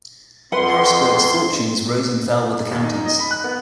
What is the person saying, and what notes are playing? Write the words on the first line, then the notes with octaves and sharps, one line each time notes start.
Harrisburg's fortunes rose and fell with the county's.
F2 B4 F#5 C6
D#2
D#4
D#5
B5
F#6
B3